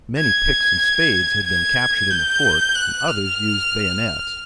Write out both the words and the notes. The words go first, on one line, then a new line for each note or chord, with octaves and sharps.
Many picks and spades had been captured in the fort, and others used bayonets.
G#6
G#6
G6
F#6
F6